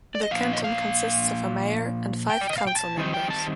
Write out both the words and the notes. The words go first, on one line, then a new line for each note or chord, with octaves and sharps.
The Canton consists of a mayor and five council members.
D5
D#5
A#2 F3 A#3 D4 F5
D#5
F5
G5
D5
D#5
F5
G5
A5
D#3 G3 C4 D#4
G5
A5